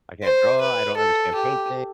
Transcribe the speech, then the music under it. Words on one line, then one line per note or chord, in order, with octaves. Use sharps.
I can't draw, I don't understand painting,
C5
B4
A4
G4